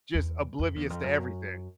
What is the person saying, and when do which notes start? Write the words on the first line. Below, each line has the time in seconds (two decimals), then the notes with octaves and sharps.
just oblivious to everything.
0.14 E2
0.59 F2
0.76 E2
0.90 F2
1.04 F#2